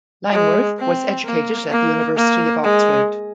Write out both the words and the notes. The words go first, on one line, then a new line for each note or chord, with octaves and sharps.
Langworth was educated at the University of Oxford.
G#3
C4
A#3
A#3
A#3
G#3